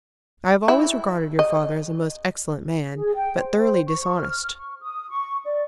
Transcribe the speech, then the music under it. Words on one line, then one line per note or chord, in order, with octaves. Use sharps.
I have always regarded your father as a most excellent man, but thoroughly dishonest.
E4
D#5
G#4
G5
C5
C5
C#6
F6
C#6
D#6
C#6
D5